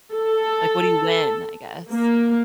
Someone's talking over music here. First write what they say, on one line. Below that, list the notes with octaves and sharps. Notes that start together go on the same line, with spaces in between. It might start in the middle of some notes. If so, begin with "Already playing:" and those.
Like, what do you win, I guess?
A4
A#3